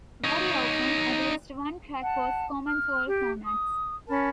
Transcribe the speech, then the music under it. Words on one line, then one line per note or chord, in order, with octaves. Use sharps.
Very often, at least one track was common to all formats.
D#4 C#5
F#5 A5
F6
G4
D#6
C#4 A#4 A5 B5